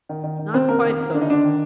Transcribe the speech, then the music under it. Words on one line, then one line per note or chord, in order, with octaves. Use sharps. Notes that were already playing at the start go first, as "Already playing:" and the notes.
"Not quite so long."
D#3
D#3
D#3
C3 C4 C5
F2 A#3 A#4
D#3
D#3
D3 D4
D#4
D3 D4
D#3